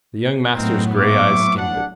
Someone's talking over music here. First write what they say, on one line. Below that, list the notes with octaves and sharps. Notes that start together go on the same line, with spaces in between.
The young master's grey eyes skimmed it.
A2 F#3 B3 C4 D#4 A#4
E5 C#6 D6
D4 F#5